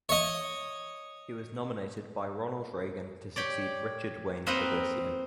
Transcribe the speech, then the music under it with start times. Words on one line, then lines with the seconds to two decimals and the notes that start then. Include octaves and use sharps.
He was nominated by Ronald Reagan to succeed Richard Wayne Bogosian.
0.09 C#5 D#5
3.36 G4 C#5 D5
4.47 A#3 C4 D#4 B4 D#5 F#5